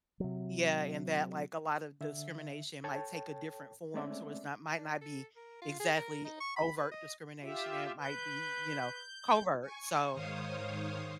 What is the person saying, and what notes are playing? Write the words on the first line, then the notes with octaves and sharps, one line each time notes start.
Yeah, and that, like, a lot of discrimination might take a different form, so, it's not might not be exactly overt discrimination and it might be, eh, you know, covert, so,
C3 F#3
D3 E5
A4 C#5 G5 A5
G#3 A3 C4 C#4 D5 E5
D4
A4
A#4
F4
G#4
A#4
D#4
C#6
B5
B4
D#5
F4 G4 E5
B4 G6
G#5 C#6
G#2 D#3 C5 C#5 F5 D#6